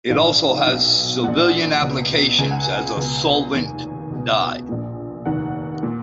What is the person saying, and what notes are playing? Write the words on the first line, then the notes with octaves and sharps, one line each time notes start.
It also has civilian applications as a solvent dye.
A#1 G#2 D#3 F5
B1 B2
A#1 A#2 F#5
C#2 B2
C#2 C#3 G#5
F#5
G#5
C#2 B2
F1 D#2 D#3 G#5
C#2 B2
A#1 A#2
F1 D#2 D#3 F#5
A#2